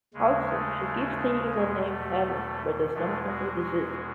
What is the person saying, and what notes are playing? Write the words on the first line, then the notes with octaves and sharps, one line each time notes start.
Also, she keeps thinking the name "Helen," but does not know who this is.
D#2 C#3 G#3
A3
A3
E2 B2 G#3
A3
E2 B2 G#3 A3
F#4
F#4